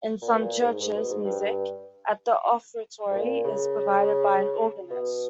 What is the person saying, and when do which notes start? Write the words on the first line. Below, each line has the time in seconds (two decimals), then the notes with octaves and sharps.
In some churches music at the offertory is provided by an organist.
0.22 A#2
0.35 B2
0.41 A#2
0.60 G#2
0.80 G#2
0.95 B2
1.09 G#2
1.24 G2
1.39 G2
3.10 G#2
3.15 A#2
3.44 C#3
4.90 B2